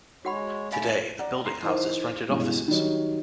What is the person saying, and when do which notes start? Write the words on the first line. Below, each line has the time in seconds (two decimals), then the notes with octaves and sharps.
Today the building houses rented offices.
0.25 G#3 F#4 C#5 F#5 B5
0.73 C3 A3 F5 G#5 B5
1.19 D5 F#5 A#5
1.45 A#5 C6 C7
1.63 E3 D#4 A#4 C5
2.29 C#2 G2 B2 E3 G#3
2.68 D#3 F#3 G3 F#4 C#5 D#5